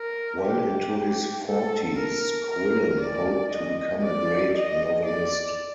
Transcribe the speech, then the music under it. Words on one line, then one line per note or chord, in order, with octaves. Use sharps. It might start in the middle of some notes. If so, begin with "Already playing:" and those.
Well into his forties, Quillen hoped to become a great novelist.
Already playing: A#4
G4
A4
A#4
A#4
D5
D#5
D5
D#5
D5